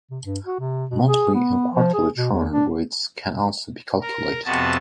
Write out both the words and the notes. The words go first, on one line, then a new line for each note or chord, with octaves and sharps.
Monthly and quarterly churn rates can also be calculated.
C3
G2
F#4
C3
B2
G#4
B3
F3
G#4
B2
E2
D4
A#4
F2 C3 B3 F#4 A5